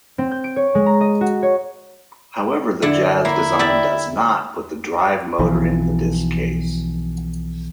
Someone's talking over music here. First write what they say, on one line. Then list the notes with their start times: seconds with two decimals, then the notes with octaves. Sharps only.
However the Jaz design does not put the drive motor in the disk case.
0.18 C4
0.31 G6
0.44 D7
0.56 C#5
0.75 G#3
0.86 A#5
1.01 D#5
1.21 F#4
1.43 C#5
2.82 D3 E4
3.25 A#3 E4
3.59 G4 D5 E5
5.39 B1 E3 F3